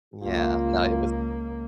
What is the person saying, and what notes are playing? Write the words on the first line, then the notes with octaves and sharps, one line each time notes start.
Yeah, no, it was
C#2 A#3 F4